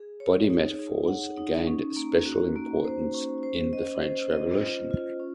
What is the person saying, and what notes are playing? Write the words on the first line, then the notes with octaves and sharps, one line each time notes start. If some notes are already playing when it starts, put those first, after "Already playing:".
Body metaphors gained special importance in the French Revolution.
Already playing: G#4
C#5
D#4
G#4
F#5
D#4
C#4
A#3
F#4
A#3
C5
C#4
C5
D#5
C5
D#5
F4
F4
C#4